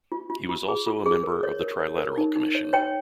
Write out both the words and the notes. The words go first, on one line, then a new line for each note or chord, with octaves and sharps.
He was also a member of the Trilateral Commission.
F4
F4
F4
G#4
F4
G#4
A#4
C#5
A#4
C#5
A#4
D#4
D#4
C#5
C#5 G5